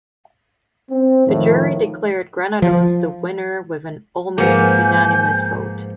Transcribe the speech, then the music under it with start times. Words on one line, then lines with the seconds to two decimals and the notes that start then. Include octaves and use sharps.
The jury declared Granados the winner with an almost unanimous vote.
0.91 C4
1.28 F2 A2 D#3 F3
2.62 F3
4.38 G#2 F3 A#3 B3 G#5 G6